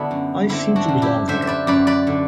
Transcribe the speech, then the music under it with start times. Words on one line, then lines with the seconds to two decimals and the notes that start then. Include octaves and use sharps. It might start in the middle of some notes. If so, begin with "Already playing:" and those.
I seem to belong here.
Already playing: D3 B3 D4 E4 F#4
0.11 F#2
0.49 D3 C4 E4
0.76 D4 F#4
0.88 F#2
1.02 E4 G4
1.28 D3 C5 E5
1.42 E5
1.47 B4 D5
1.67 F#2 B4 D5
1.87 B4 D5
2.07 D3